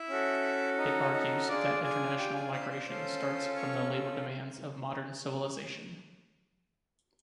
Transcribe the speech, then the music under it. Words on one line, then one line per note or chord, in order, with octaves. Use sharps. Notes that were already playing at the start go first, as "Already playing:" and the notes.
It argues that international migration starts from the labour demands of modern civilization.
Already playing: E4 E5
C#4 F#4 A4
D#4 D#5
D#4 D#5
D4 F4 G#4 D5
G#4 G#5
G4 G5
G#4 G#5
C5 C6
B5
C5 C6
C#4 F4 A4
C#5 C#6